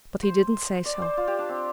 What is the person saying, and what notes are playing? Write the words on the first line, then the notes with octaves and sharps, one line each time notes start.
But he didn't say so.
C5
D5
C5
F4
G4
D4
C4